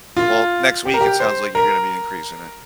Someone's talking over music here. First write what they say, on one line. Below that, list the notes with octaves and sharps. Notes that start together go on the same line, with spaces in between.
Well, next week it sounds like you're gonna be increasing it.
F4
G4
A#4
G4
C5
A#4